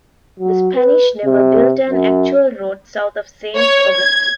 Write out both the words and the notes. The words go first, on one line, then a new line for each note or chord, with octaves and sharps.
The Spanish never built an actual road south of Saint Augustine.
F#3
B4
C3
F#2
C#5
G#6